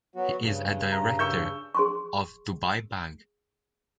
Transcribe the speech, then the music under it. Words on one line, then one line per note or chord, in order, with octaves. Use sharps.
He is a director of Dubai Bank.
F#3 B3 F#4
G2 C#3
A#5
C#6 E6 G6
G#4 C6 C#6